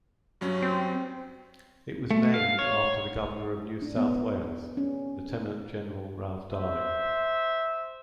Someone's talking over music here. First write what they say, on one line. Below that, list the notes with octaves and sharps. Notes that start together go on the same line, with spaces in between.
It was named after the Governor of New South Wales Lieutenant-General Ralph Darling.
G2 F#3 C#4
C4
A3
F5
C#5
D4
B3
C#4
C5 E5